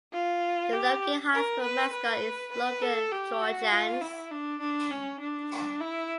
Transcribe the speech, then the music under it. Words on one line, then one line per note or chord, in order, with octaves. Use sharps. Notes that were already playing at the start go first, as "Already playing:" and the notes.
The Logan High School mascot is Logan Trojans.
F4
G4
A#4
B4
B4
B4
A4
G4
F#4
F4
E4
D4
D4
C#4
D4
E4